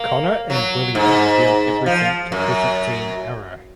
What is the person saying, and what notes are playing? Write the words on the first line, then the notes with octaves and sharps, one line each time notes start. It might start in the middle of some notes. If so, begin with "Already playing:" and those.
Connor and William reveal everything to Present Team Arrow.
Already playing: A#3
F#3
G#2
F3
F#2